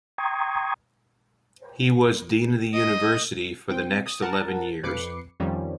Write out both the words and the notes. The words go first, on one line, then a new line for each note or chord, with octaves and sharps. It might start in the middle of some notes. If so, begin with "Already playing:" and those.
He was Dean of the University for the next eleven years.
G5 A#5 C6 C#6 D#6 G#6
D#5
C4 G5
D#6
A#4 F#5 A5
F2 B4 D6 C7 C#7
F2 D#3 F3 G3 C#4